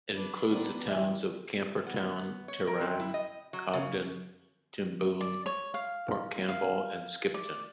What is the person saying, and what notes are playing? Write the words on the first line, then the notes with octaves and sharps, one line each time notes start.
It includes the towns of Camperdown, Terang, Cobden, Timboon, Port Campbell and Skipton.
D4 B4 B5
B3 C4 F#4 A#4 D5
E3 G3 G4 E5 G#5
B3
C#5
A#4
C4
E4
D#5
F#3
C#3
D5
C#5
F5
F5
D5